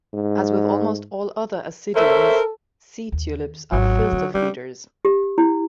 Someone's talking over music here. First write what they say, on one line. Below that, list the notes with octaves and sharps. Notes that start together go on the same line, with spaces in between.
As with almost all other ascidians, sea tulips are filter feeders.
G#2
A4 A#4 C5 C#5 E5
D#2
G#1 F#3
D3 F4
G3 C#4
G4
E4